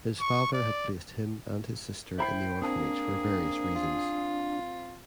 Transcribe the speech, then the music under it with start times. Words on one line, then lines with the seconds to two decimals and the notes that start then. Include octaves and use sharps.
His father had placed him and his sister in the orphanage for various reasons.
0.21 C#6
0.53 D5
2.18 E4 C5 G5 B5 C7
2.62 A#3 C4 D4 G#4
3.75 F4